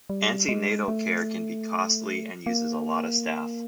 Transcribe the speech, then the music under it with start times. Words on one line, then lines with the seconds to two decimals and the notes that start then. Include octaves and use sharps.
Antenatal care can be costly and uses a lot of staff.
0.10 G3
0.49 G#3
0.88 A3
2.46 A#3